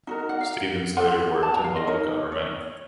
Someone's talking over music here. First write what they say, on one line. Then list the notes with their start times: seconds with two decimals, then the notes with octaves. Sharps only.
Stevens later worked in local government.
0.07 D#4 F#4 A#4
0.29 F#5
0.41 F5
0.97 F4 A4 F#5
1.43 A5
1.54 A#5
1.64 F5
1.76 D#5
1.87 D#4 A#4 C#5
2.32 C#5